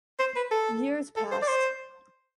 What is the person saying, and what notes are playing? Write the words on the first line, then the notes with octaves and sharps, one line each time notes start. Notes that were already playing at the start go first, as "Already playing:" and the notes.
Years passed.
C5
B4
A4
A4
C5
D5
C5